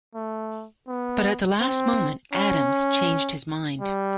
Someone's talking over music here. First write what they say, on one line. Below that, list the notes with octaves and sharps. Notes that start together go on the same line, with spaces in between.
But at the last moment, Adams changed his mind.
A3
B3
C4
C#4
G3